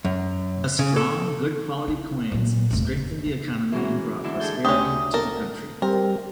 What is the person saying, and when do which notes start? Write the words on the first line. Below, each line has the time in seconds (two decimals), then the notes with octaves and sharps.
The strong, good-quality coins strengthened the economy and brought prosperity to the country.
0.05 F#2
0.79 C#3
0.96 A4
1.88 E4
2.32 A#2 F#3
2.71 F1 G2
2.85 D#2
3.26 E3
3.72 E3 G#3 A#3 C#4 F#4
4.24 D3 E3 D4 E4
4.40 D4 D#4 G#4 A4 G6
4.65 D2 C#4 G4 D#6
5.14 A4 A#4
5.82 G3 C4 A#4